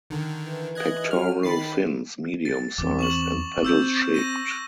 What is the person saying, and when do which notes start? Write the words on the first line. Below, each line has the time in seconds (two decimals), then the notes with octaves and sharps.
Pectoral fins medium sized and paddle shaped.
0.10 D3 D#3
0.45 E3
0.75 D#5 F#6 G#6
1.11 F#3 F6
1.43 D#3 B5 A6 C7
2.45 A6
2.78 E2 E3 C4 D6
2.99 C#6 E7 F#7
3.63 C4 D6 E6 G6
4.14 A#6 D#7